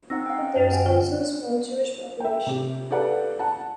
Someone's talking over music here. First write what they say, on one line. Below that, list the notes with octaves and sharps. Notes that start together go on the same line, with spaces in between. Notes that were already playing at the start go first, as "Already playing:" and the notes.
There is also a small Jewish population.
C4 D#4 F#5 E6 A#6
F5 G5
C#4 D#5
F#2 G5 F6
G4 F#5 G#5
D3 C#4 F4
E5 G5
C3 G4
G4 A4 B4 D5 F5 F#5
F#5 A5